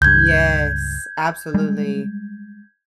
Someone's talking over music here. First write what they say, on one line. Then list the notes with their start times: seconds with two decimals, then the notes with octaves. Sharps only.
Yes, absolutely.
0.02 C#2 G2 G6 G#6
1.54 G3 G#3